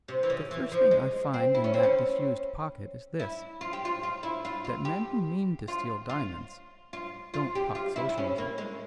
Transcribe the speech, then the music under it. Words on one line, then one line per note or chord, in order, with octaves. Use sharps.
But the first thing I find in that disused pocket is this: that men who mean to steal diamonds don't talk Socialism.
C3
E3
C#3
E3
F3
G#3
C4
E4
C#4
C4
C#4
E4
F4
G4
F4
F4
E4
F4
F4
G4
F4
F4
F4
F4
G4
F4
E4
E4
C#4
A#3
G#3